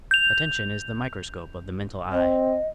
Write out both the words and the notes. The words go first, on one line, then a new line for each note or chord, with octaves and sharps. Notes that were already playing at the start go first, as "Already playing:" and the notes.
Attention is the microscope of the mental eye.
G6 F7
C4 D#5